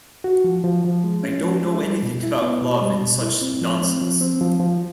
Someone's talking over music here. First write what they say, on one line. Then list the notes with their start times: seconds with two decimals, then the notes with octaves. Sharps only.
I don't know anything about love and such nonsense!
0.24 F#4
0.44 F3
0.64 F3
0.84 F3
1.04 G#3
1.23 C#4
1.44 F3
1.63 G#3
1.84 G3
2.03 B2
2.23 E4
2.42 B3
2.62 B2
2.81 G3
3.02 B2
3.21 E4
3.41 C4
3.61 F3
3.81 C4
4.01 F3
4.21 C4
4.41 F3
4.60 F3